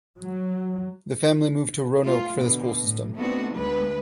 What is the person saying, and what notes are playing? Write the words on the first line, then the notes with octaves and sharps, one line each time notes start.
The family moved to Roanoke for the school system.
F#3
A3 F4
B2 D3
A2
A3 B3 C4 D4 D#4 F#4
D2 G#3 B3 B4